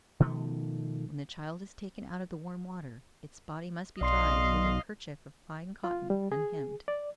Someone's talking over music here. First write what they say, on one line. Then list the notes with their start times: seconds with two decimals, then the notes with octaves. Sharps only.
When the child is taken out of the warm water, its body must be dried with a kerchief of fine cotton, unhemmed.
0.20 B2 D#3 F3 A3
4.01 B1 D5 D#5 F5 C6 C7
5.84 F4
6.10 G3
6.32 G#4
6.88 D5